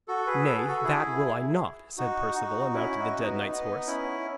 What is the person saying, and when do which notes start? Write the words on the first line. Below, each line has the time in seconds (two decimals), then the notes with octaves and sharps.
'Nay, that will I not,' said Perceval, and mounted the dead knight's horse.
0.08 F#4 A4
0.27 G#4 B4
0.46 A4
0.57 G#4
0.68 F#4 A4
0.84 E4 G#4
1.98 D#4 F#4
2.36 D#4 F#4
2.73 C#4 E4
2.99 D#4 F#4
3.24 B3 D#4
3.49 B3 D#4
3.87 C#4 E4